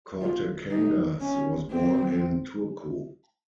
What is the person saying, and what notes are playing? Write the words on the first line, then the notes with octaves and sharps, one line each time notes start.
Kortekangas was born in Turku.
F4
D#4
C#4
C4